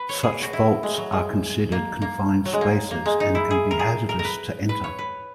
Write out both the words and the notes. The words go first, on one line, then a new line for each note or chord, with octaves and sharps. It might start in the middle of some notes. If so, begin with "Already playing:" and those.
Such vaults are considered confined spaces and can be hazardous to enter.
Already playing: B4
C#5
G#4
F#4
E4
G#3
F#3
G#3
A#3
A#3
F#3
G#3
A#3
A#3
G#3
D#4
E4
G#4
A#4
G#4
A#4
A#4
B4
B4
C#5
B4